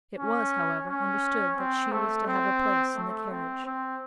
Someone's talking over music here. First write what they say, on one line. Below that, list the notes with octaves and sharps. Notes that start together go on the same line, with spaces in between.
It was, however, understood that she was to have a place in the carriage.
C#4
C#4
C4
A3
C4
A3
C4
C4